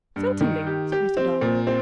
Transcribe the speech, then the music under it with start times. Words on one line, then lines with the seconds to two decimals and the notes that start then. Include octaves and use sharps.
"Certainly," said Mr. Darling.
0.16 G2
0.41 D#3
0.67 G4
0.92 G4
1.17 C4
1.41 A#2
1.67 C4